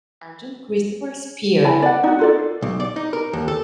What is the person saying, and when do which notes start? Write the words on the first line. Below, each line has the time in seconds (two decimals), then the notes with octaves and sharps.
Sergeant Christopher Speer.
1.65 E4 G#5 A5 B5
1.82 D5 F#5
2.04 D#4 F#4
2.19 F4 A4 D5
2.62 B1
2.80 D5
2.96 D#4
3.13 A#4
3.33 D#2
3.48 A4